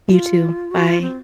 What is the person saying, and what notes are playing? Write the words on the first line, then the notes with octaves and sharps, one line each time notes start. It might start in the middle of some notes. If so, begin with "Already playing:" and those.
You, too. Bye.
F4
F#4
F4
C4